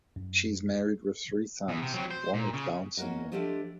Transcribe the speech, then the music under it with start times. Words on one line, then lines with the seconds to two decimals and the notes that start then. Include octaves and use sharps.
She is married with three sons, one with Down Syndrome.
0.16 F#2
1.68 E2
1.81 C3
1.93 F#3 C4
2.10 C5
2.33 A#2
2.53 C#3
2.97 A#3 C#4 F#4 A#4 D#5
3.32 F3 A3 D4 G4 C5 D#5